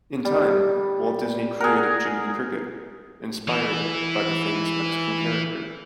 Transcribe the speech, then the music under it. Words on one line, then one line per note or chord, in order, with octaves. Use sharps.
In time, Walt Disney created Jiminy Cricket, inspired by the famous Mexican character.
G3
G#4 A#4 F#5
E3 E4